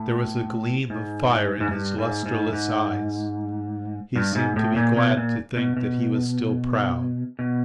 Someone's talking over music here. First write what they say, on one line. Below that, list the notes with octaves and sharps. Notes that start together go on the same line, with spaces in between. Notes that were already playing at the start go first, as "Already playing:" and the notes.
There was a gleam of fire in his lustreless eyes; he seemed to be glad to think that he was still proud.
Already playing: A2
G#2
G#2
G2
G#2
G#2
G#2
G2
G#2
A2
A#2
B2
A#2
B2
B2
B2